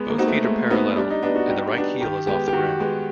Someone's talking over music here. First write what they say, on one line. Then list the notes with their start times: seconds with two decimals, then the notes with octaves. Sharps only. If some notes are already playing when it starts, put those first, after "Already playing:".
Both feet are parallel, and the right heel is off the ground.
Already playing: G#3 B3
0.10 A#3
0.18 C4 D#4 F#4
0.28 A3
0.44 G#3 A3
0.70 B3 C4 D#4 F#4
0.96 G3 D4
1.10 D#4
1.22 B3 D4
1.36 F#4
1.48 G3 G4
1.75 B3 D4
2.01 D#3 G4
2.27 G#3 B3 G4
2.48 G4
2.53 D#3 F#4
2.79 G#3 B3